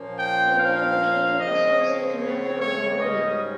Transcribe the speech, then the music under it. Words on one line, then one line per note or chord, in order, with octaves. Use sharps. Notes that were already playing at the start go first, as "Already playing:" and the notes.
He later became associate conductor of La Verdi.
Already playing: A#2 F3 A#3 C#4
G5
F5
C#3 F3 C4 D#5
C#5
C#5
C#5
G#2 G3 C#4 D#5